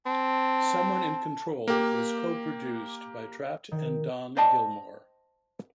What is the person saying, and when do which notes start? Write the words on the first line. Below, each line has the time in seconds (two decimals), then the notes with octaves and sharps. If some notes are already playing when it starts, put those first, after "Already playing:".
"Someone in Control" was co-produced by Trapt and Don Gilmore.
0.06 C4 A5
1.68 A#3 G4
3.72 D#3
4.37 C5 D5 D#5 G5 A5